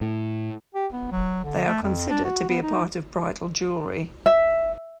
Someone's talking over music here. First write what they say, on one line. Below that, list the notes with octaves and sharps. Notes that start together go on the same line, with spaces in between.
They are considered to be a part of bridal jewellery.
A2
G4
B3
F#3
D3
A3
F2
D4
F#4
B3
D#4
E5